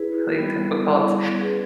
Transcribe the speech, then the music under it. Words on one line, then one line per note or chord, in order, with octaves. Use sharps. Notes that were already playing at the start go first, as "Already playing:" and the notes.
really difficult.
Already playing: E4 G#4 B4
G3 B3 E4
G3 B3 E4
C#4 G#4 B4